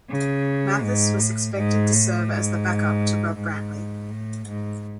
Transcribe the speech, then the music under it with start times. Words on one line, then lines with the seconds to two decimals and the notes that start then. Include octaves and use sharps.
Mathis was expected to serve as the back-up to Rob Brantly.
0.10 C#3
0.82 G#2
1.19 A2
1.55 G#2
1.92 A2
2.28 G#2
3.38 G#2
4.10 A2
4.47 G#2